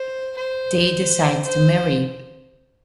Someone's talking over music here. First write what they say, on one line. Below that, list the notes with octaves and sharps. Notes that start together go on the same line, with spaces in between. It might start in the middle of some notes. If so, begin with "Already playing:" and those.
They decide to marry.
Already playing: C5
C5
C5